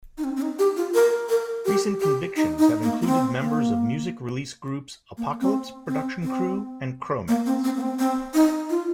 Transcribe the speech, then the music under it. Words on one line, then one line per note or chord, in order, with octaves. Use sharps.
Recent convictions have included members of music release groups Apocalypse Production Crew and Chromance.
D#4
C4
C4
D#4
G4
F4
A#4
A#4
G4
G4
D#4
D#4
A#3
A#3
C4
A#3
A#3
C4
C4
C4
A#3
C4
C4
A#3
C4
C4
D#4
F4